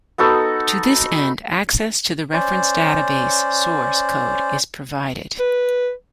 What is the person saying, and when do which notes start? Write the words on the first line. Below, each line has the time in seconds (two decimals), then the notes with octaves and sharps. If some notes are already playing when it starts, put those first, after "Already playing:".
To this end, access to the reference database source code is provided.
0.18 B3 D#4 F#4 A4
2.33 C#4 C5 D5
5.40 B4